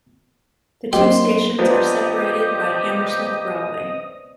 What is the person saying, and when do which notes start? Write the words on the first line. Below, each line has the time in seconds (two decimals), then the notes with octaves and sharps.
The two stations are separated by Hammersmith Broadway.
0.93 F#3 A#3 D4 G4 C5 D#5 C6
1.59 A#1 F3 B3 G4 B4 C5 D5 D#5